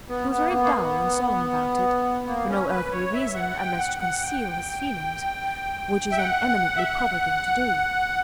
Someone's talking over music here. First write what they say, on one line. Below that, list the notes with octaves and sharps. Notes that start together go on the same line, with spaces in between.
He was very dull and solemn about it--for no earthly reason, unless to conceal his feelings--which is an eminently proper thing to do.
B3
B3
A#3
B3
A#3
B3
A#3
C#4
B4
C#5
E5
F#5
G5
F#5
F#5
G5
E5
F#5
E5
F#5